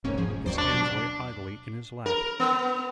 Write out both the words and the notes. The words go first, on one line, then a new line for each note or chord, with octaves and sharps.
His hands lay idly in his lap.
E1 C2 G#2 A#3 C#4
F3 G#4
D#2 F#3 C5 D5 C#6
D4
B2
A#4
B3